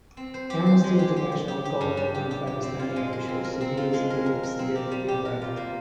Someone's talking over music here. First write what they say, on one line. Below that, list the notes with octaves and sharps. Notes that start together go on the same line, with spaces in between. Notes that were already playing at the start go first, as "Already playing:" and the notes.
Amnesty International called on Pakistani officials to vigorously investigate the attack.
C4
C5
G4
C5
G#3
G4
G4
G4
G4
G4
G2
G3
G4
G4
G4
C4
F4
G#3
A#4
C4
A#4
C4
F4
G#3
A#4
A#4
A#4
C4
G4
G3
G4
A#4
F4
A#3